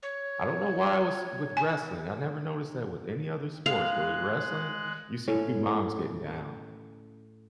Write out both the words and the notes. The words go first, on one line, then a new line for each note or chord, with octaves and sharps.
I don't know why it was with wrestling, I never noticed that with any other sports, but with wrestling, you see pe moms getting down.
C#5
G#5
G#3 F5 F#6
A2 C#4